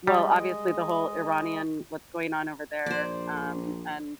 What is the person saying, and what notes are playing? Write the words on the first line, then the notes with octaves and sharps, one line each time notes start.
well, obviously the whole Iranian what's going on over there, um, and
G3 G#3 D#5
A#1 C5 D5